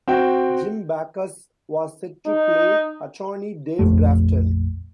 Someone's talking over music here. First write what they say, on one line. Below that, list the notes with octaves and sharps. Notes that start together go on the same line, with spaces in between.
Jim Backus was set to play attorney Dave Grafton.
C4 F#4 G5
D#4
A#1 F2 A3